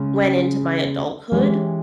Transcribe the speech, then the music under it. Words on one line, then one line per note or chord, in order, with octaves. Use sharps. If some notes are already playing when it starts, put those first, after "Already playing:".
went into my adulthood.
Already playing: C#3 G#3 C#4
E3 G#3 C#4 G4